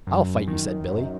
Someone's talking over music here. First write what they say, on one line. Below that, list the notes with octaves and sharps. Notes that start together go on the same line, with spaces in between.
"I'll fight you," said Billy.
F#2
D#3
F#2